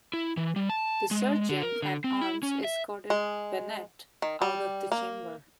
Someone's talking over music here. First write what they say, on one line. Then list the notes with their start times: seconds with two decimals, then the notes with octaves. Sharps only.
The Sergeant at Arms escorted Bennett out of the chamber.
0.14 E4
0.37 E3
0.56 G3
0.69 A5
1.11 G#3
1.49 D3
1.63 A#4
1.82 D3
2.04 C4
2.21 E4
2.43 C#4
2.64 E5
3.10 G#3
4.22 D#3
4.42 G3
4.92 A#3